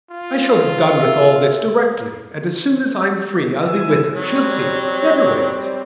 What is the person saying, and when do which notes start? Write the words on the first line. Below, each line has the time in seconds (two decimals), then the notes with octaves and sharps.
I shall have done with all this directly, and as soon as I'm free, I'll be with her, she'll see, let her wait.
0.11 F4
1.00 A#4 E5 E6
3.66 F3 E4 G#5 E6
4.16 F#3 G3 C4 C#5